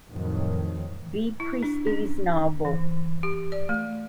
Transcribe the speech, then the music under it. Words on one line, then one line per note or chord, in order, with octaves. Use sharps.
B. Priestley's novel.
F2 A2 D#3 F#3
E4
D4
C#4
E3
G4
D5
A3